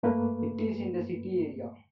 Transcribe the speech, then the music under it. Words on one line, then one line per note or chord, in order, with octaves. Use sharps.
It is in the city area.
G2 A3 A#3 B4